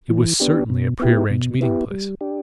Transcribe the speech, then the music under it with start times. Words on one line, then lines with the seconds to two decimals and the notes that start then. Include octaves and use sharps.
It was certainly a prearranged meeting place.
0.09 E3
0.40 B3 D4 G4
0.70 B2
0.99 B3 E4 G4
1.30 B2
1.61 B3 E4 G4
1.91 G3
2.21 D4 G4